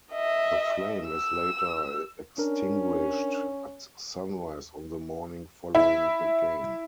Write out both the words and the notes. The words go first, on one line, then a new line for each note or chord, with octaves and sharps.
The flame is later extinguished at sunrise on the morning following the game.
D#5 E5
E6
C#4 D4 A#4
E4